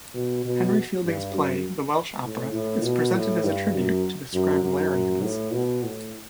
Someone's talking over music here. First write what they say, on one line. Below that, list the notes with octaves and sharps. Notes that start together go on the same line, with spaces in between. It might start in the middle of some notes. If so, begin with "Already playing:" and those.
Henry Fielding's play, "The Welsh Opera" is presented as a tribute to the "Scriblerians".
B2
B2
G2
F#2
A2
A2
B2
A2
G2
F#2
F#2
F#2
A2
B2
A2